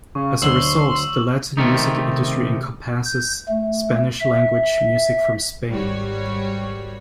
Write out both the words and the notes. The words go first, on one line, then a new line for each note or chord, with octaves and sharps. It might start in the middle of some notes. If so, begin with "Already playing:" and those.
As a result, the Latin music industry encompasses Spanish-language music from Spain.
C#3 C#6
D2 F#3 C6 E6 E7 F#7
C3 D#3 A3 D#4
G6
A3
E5
G#1 G3 F#4 C#5